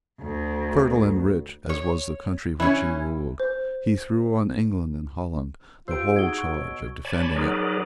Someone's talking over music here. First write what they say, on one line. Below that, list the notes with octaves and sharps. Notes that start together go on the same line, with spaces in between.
Fertile and rich as was the country which he ruled, he threw on England and Holland the whole charge of defending it.
D2
C#5
E3 C#4 E4
C5
F4 G4 C5 E6 D7
D#4 F#4 G#4 F#5 G#6 G7
C#6
B2 C#5
C#5 D5 G#5 A5 B5
F#3 D#4 G#4 A#4 B4 D5